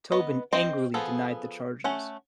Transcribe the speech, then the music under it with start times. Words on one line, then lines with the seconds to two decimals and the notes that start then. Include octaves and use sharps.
Tobin angrily denied the charges.
0.12 B3 B4 D#5
0.53 C4 C5 D#5
0.94 F3 B3 G#4 A4
1.84 A3 C#4 F#5